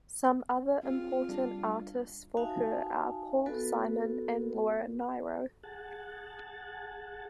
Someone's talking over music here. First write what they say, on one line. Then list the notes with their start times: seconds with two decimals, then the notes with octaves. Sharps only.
Some other important artists for her are Paul Simon and Laura Nyro.
0.83 C4 F4 G#4
1.29 G3 D4
2.37 D#4 F#4 E5 F5 G#5 A5
3.46 B3 F#4 A4 B4
5.63 G#4 F#5 A5